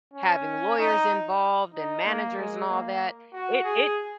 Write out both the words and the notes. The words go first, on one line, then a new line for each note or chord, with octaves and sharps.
having lawyers involved and managers and all that, it it
C#4
D#4
D#4
A#3
G#3
A#3
F#4
G#4